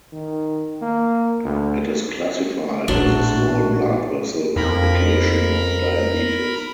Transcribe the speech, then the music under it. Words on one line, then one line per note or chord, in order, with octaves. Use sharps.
It is classified as a small blood vessel complication of diabetes.
D#3
A#3
D2
A#1 A2 F#3 A3 D4 F#4 C6
F2 A#4 B5